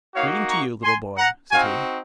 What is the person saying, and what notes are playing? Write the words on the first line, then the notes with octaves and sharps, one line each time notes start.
"Greeting to you, little boy," said he.
A#3 D#4 F#4 C#5 F5
A#5 C#6
G#5 C6
F#5 A#5
C4 D#4 F#4 F5 G#5